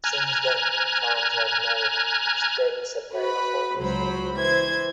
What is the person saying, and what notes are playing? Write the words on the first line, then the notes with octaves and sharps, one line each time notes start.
Since then, fans had a more steady supply of Walker's music.
G#5 A#5 F6 F#6 G#6
F#4 B4 B5
C#2 F#3 C5 B5
E3 C5 G#6